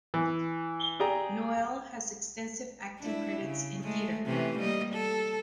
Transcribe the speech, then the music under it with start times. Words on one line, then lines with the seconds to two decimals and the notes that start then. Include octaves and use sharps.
Noel has extensive acting credits in theatre.
0.14 E3
1.00 G4 G#4 D5 A#5
2.99 D4 E4
3.40 C#3
3.83 G#3 A3
4.26 C3 E3 C#4
4.59 G3 A#3 D#5
4.93 A4